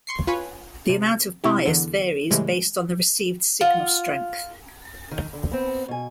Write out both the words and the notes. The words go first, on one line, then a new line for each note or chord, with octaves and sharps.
The amount of bias varies based on the received signal strength.
C6 C#6 C7
F4 B4 C#5 G#5
C3
C3 E4 G4
E2 D3
A2 C#3 E3 G3 G#3
F4 F#5
D#3
D3
B3 C4
B2 G#5